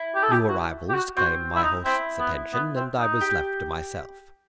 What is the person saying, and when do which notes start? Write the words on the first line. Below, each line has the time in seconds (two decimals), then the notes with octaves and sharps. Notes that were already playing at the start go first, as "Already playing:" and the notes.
New arrivals claimed my host's attention, and I was left to myself.
Already playing: E4
0.15 G4
0.23 A4
0.31 G4
0.49 F#4
0.89 G4
0.94 F#4
1.17 C4 F#4
1.55 E4
1.62 D#4
1.85 C4 E4
2.19 B3
2.53 B3
2.76 C4
2.99 D#4
3.21 G4